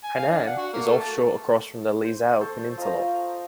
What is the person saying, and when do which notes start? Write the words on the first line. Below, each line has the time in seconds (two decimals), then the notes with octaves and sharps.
Hainan is offshore across from the Leizhou Peninsula.
0.04 G#5
0.16 F5
0.31 D4
0.46 F#5
0.58 F#4
0.73 A#3
0.85 A3
1.00 A5
2.04 C5
2.41 A4 C5 C#6
2.77 F3 D#5 F5 A#5